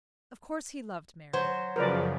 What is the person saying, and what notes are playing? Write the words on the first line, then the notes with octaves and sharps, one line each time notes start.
Of course he loved Mary.
F#3 C5
F#2 C#3 F3 A#4 B4 D5